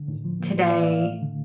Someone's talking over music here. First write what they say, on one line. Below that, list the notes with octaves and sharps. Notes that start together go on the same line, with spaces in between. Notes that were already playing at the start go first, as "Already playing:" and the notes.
Hmm, today
Already playing: D3
A2
F3
A#3
A2 C5
D5
E3 F5
E5
A2 F5
A3
D3